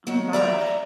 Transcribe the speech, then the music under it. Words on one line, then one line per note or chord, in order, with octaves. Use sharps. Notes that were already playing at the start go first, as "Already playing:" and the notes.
Oh my gosh.
D#3 F#3
D5 E5 A#5